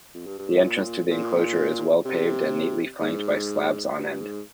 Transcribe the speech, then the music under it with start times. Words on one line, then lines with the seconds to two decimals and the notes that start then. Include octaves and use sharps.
The entrance to the enclosure is well-paved and neatly flanked by slabs on end.
0.14 F2
0.26 G2
0.38 G2
0.50 G#2
0.62 A#2
1.10 A#2
2.06 C3
3.01 G#2
3.97 G2
4.21 G#2